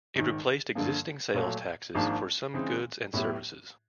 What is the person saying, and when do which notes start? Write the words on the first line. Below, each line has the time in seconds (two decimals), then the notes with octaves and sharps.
It replaced existing sales taxes for some goods and services.
0.15 A#1 G#2 D#3
0.75 G2 D3 F3 A#3
1.34 A#2 F#3 A3
1.95 G#1 G#2 F3 A#3 D4
2.54 C#3 E3 G#3 C4 D#4
3.13 A2 F#3 B3 E4 G4